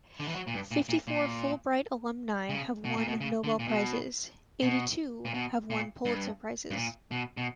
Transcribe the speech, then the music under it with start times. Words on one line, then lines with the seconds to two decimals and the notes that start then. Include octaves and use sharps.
Fifty-four Fulbright alumni have won Nobel Prizes; eighty-two have won Pulitzer Prizes.
0.20 D3
0.28 E3
0.35 F#3
0.47 A#2
0.54 G2
0.71 A#2
0.89 A#2
1.08 A#2
2.49 C#3
2.85 B2
2.97 A#2
3.08 B2
3.21 C#3
3.44 D3
3.59 A#2
3.68 B2
4.63 B2
5.25 A#2
5.34 B2
5.70 A#2
6.05 G2
6.71 G2
6.76 A#2
7.11 B2
7.37 B2